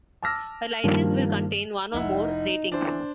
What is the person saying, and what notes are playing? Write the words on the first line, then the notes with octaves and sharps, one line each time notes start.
A licence will contain one or more "ratings".
A5 D6 E6 F6 A#6
G2 D#3 F3 G3 A#3
F1 D#4 E4 F#5
E3 D4 C5